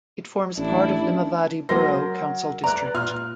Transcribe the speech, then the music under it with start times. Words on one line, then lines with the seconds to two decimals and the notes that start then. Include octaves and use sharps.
It forms part of Limavady Borough Council district.
0.57 A1 D4 E4
1.69 F#3 A#4 C5 A#6
2.64 B4 D5 A#5 F#6
2.94 A#2 F4 F6